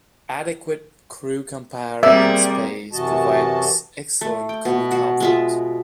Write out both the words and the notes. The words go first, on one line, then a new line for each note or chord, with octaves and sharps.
Adequate crew compartment space provides excellent crew comfort.
G3 A#3 C4 G#4 A#4 D5 E5
F#2 C3 E3 F#4 D#5 A5
A3
G5
B2
F#4
G#3 F4 E5